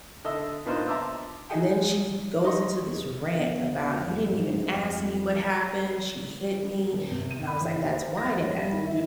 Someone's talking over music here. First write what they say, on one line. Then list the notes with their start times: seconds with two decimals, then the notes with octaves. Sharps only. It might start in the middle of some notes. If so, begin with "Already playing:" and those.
And then she goes into this rant about, "You didn't even ask me what happened, she hit me." And I was like, "That's why I didn't ask you"
0.25 D3 D#5 E5 E6
0.66 A#2 B3 D4 D#4 A#4 C5
0.87 E5 A5 A#5 C6 D6 E6
1.50 D#4 F#4 G#4 G5
2.44 D#4 D#5 C6 C#6
3.39 B3
3.90 F2
4.31 G#2
4.71 F2
6.93 D#1
7.11 C3
7.31 D#7
7.47 B5
7.60 E3
7.76 D#4
7.91 C5
8.17 A#6
8.40 C#5
8.57 G3
8.72 D#3
8.86 E5